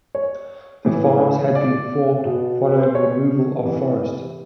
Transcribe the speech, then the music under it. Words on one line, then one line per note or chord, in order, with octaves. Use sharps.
The farms had been formed following removal of forest.
C#5
A2 E3
D5
B2
B4
C5
C#5
C3 E3